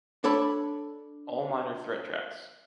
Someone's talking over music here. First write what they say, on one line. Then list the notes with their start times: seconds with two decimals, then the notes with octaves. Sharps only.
All Minor Threat tracks.
0.24 D4 A4 C#5 B5